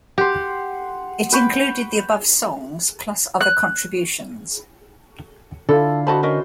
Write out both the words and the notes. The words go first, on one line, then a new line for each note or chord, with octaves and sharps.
It included the above songs, plus other contributions.
G4 F#5 C6
B4 G5 C#6
F#6
D3 E4 F4 A4
F#4 A4 C5 D#5 A5 B5
C#4 A#4 D#5